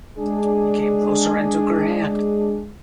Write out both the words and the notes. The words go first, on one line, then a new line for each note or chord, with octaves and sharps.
He came closer and took her hand.
G#3 D4 G#4